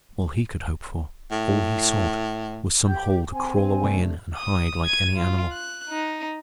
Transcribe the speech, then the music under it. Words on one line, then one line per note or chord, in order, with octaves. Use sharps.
All he could hope for, all he sought, was some hole to crawl away in and hide like any animal.
A2
G4 G5 G6
C4 G#5
C3 A3 D4
D#6
G#6 D#7
F4
F#6
D#4